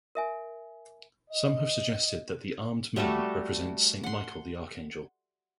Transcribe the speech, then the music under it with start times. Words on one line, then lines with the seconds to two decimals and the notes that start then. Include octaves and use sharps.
Some have suggested that the 'armed man' represents Saint Michael the Archangel.
0.15 A#4 E5 G#5
1.29 D#5
2.96 G3 A3 F#4 A4
4.03 F#5 C6